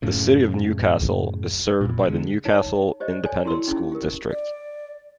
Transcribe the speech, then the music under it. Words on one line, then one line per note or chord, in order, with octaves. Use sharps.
The City of Newcastle is served by the Newcastle Independent School District.
F#2 A2 C#3
F2 A#2
D3 G#3
D#4 C#5 A5
G4 C5 D5 D#5
A4 C#5 D5 G#5
E4 F#4 G4 A4 C6 E6
C#4 D#4 E4 G#4
G4 A#4
D5